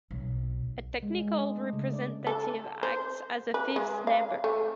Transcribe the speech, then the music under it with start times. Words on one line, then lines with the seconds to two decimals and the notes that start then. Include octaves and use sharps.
A technical representative acts as a fifth member.
0.11 B1
1.03 G#3
1.22 G#3
1.39 D4
1.58 A3
1.73 C#3
1.93 D5
2.27 A4
2.83 C5
3.54 B4
3.76 G#3
4.07 F5
4.44 A3